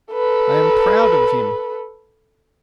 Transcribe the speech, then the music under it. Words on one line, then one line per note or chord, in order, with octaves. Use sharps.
I am proud of him.
A4 B4